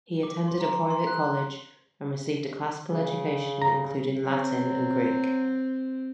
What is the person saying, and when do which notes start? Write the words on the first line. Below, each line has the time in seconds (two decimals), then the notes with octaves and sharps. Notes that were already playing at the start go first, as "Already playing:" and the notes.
He attended a private college and received a classical education including Latin and Greek.
0.23 D6
0.48 C6
0.60 A#5
0.90 C6
1.07 F#6
2.89 C#3
3.62 A#5
4.25 F#3 C4